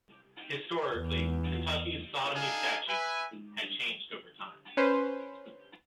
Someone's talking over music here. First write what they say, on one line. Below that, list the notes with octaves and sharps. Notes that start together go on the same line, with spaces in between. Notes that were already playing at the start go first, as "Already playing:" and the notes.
Historically, Kentucky's sodomy statutes had changed over time.
E2
D4 D#4 A4 D#5 F5 G#5
B4 E5 G#5
C#4 B4 C5